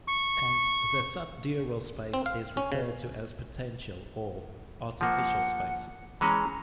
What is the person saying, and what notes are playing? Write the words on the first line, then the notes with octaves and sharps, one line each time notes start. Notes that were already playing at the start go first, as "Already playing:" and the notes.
Hence, the subdural space is referred to as "potential" or "artificial" space.
C#6
C4
F5
C#4
C#3
F3 A#3 F#5
E3 G#3 C#4 A#5